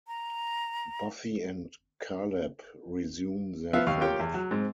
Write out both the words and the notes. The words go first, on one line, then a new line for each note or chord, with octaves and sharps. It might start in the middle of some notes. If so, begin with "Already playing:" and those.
Buffy and Caleb resume their fight.
A#5
F3 B3 E5 F5
D#2 F5 C#6 F6
F4 G4 A#4 C#5 G5
E2
F#3
G#2 C4